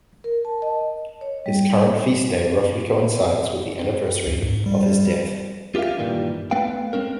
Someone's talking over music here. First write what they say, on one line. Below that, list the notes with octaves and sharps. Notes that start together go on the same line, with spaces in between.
His current feast day roughly coincides with the anniversary of his death.
A#4
A5
D#5
C#5
G3
D2
G#2
G3
F4 G4 A#4 E5 F5
G2 A#2 D#3 E3 G3
A3 B3 B4 F5 G5
G#3 C4 C#4 A#4